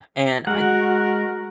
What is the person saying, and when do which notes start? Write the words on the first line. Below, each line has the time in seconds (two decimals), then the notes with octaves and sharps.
and I
0.47 G#3 F#4 A#4 F#5